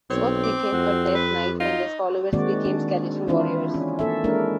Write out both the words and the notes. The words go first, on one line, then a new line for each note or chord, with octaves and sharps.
Soth became a death knight and his followers became skeleton warriors.
B1 C4 C#5
D6
F2 F#4
B4
D#4 F4
D#3 G#3 A#3 C4 F#4 D5
D4
E3 C4 D4 E4 F4
C#4
A#3 A4 E5
G#3 A#3 D4 E4 A#4